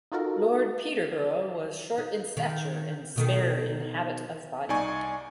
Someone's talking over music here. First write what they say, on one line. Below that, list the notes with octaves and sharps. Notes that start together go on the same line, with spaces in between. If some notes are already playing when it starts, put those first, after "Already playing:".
Lord Peterborough was short in stature and spare in habit of body.
D#4 F4 F#4 A4 A#4
D#4
D#3
B2 D#3 A4
C2 D#4 D5 G#5 C#6